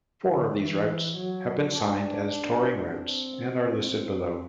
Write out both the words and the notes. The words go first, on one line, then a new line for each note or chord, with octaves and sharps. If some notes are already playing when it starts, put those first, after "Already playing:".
Four of these routes have been signed as touring routes and are listed below.
D3
E3
F#3
D4
C4